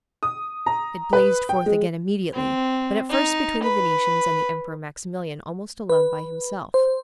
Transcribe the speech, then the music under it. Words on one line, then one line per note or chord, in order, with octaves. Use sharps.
It blazed forth again immediately, but at first between the Venetians and the Emperor Maximilian almost alone by himself.
D#6
A#5
B4
G5
G#3
C4
D#4
B4
B4
C5